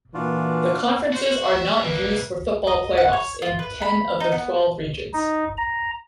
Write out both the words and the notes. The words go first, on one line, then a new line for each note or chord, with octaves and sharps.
The conferences are not used for football playoffs in ten of the twelve regions.
A#2 E3 D4 F4 F#4
F#4 C5
E5
C2 A#3 B4
D#5
F#5
C#5
F4
B4
B5
D#4
B3
D#4
A#5